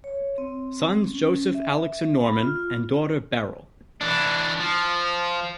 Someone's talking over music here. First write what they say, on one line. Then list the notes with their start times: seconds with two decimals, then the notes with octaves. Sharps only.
Sons Joseph, Alex and Norman, and daughter Beryl.
0.04 C#5
0.38 C4
1.09 C#4
1.55 E5
2.21 B5
2.43 F4
4.01 E3 D4
4.60 F3